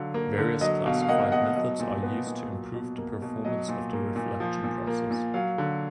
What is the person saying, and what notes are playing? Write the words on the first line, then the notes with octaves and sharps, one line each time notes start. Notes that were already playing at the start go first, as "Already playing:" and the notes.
Various classified methods are used to improve the performance of the reflection process.
Already playing: D3 F#3 F5
A#3
D3
F#3 D#5
B2 F5
F5
A#3 D#5 F#5
B2 D#5 F#5
F#3 D#5
A#2
B3
A#2
F#3
B2
A#3
B2
F#3 D#5
A#2
A#3
A#2
F3
A#2
A#3
A#2
F#3 F5
D3